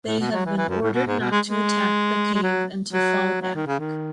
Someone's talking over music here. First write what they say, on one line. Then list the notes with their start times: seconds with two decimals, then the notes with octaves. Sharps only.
They have been ordered not to attack the cave and to fall back.
0.07 A2
0.19 B2
0.32 F#3
0.45 E3
0.57 E3
0.69 F#2
0.82 A2
0.94 B2
1.07 G#2
1.19 B2
1.31 G#3
1.48 G#3
2.34 G#3
2.43 F#3
2.93 F#3
3.42 F#3
3.55 D#3
3.67 C#3
3.79 D#3